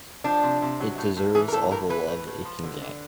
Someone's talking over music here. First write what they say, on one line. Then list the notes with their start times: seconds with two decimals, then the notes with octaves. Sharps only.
It deserves all the love it can get.
0.24 F3 D4
0.43 C3
0.62 C3
0.80 F#3
0.98 A2
1.17 A2
1.34 E3 G#4
1.48 A#4
1.52 A2 A4
1.71 A2 A#4
1.89 E3 B4
2.08 A2
2.27 A2
2.45 F3
2.64 D3
2.82 D3